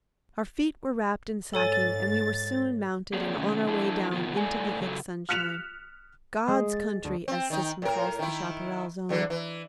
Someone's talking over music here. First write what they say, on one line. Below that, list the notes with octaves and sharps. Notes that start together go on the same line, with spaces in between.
Our feet were wrapped in sacking, and we were soon mounted and on our way down into the thick sunshine--"God's Country," as Sisson calls the Chaparral Zone.
G#2 A4 C#5 G#5 A6
A#3 C4 G#4 C#5 D5
C3 D#3 A3 C#4
F3 D4 E4 A4
C3 D#3 B3 F4
A2 A4 D5 G#5
C#3 F#3 A4
F6 F#6 B6 C#7 E7 F7
G#3
A6
D2
C4
D#3 D#4
A2 A#4
D#3 E4
E2 D3 E3
E3